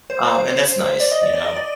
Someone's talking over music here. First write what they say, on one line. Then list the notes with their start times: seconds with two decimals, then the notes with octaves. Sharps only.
Um, and that's nice, you know?
0.10 C5
1.00 D5
1.12 D#5
1.22 D5
1.33 D5
1.45 D#5
1.57 D5